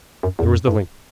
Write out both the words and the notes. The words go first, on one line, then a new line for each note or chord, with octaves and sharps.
There was the link.
F#2
E2
F#2
F2
G2